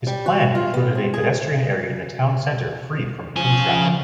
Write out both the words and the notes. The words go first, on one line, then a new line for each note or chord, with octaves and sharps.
His plan included a pedestrian area in the town centre free from through traffic.
G3
F#4
F4
B3
C4
G#4
C#3 F3 G#5